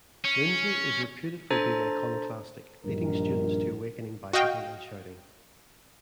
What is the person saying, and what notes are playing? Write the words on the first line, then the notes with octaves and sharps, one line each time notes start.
Linji is reputed for being iconoclastic, leading students to awakening by hitting and shouting.
C#4
D4 A4 C5 A#5 A6
A#1 G2 D#3 A#4
F#4 D#5 F5 G5